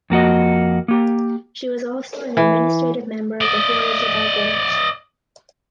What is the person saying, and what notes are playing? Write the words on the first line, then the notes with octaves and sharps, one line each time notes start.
She was also an administrative member of Reporters Without Borders.
F2 A#3 F#4 D#5
A#3 G4
E3
D5 D#5